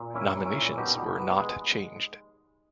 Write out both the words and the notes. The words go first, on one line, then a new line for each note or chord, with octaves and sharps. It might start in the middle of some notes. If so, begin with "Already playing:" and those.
Nominations were not changed.
Already playing: A#2
A#3 C#4 E4
A#3
C#4 E4
A#2
B2 D#4 G4
B2
B3
G#3